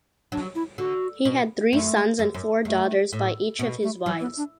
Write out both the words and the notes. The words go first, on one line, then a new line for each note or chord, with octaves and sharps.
He had three sons and four daughters by each of his wives.
F#3 D4
E4
D3 F#4
B2
F#2 A3
F#2
F#2
F#2 A3
A2
B2 B3
A3
E3 F#3
B3
D4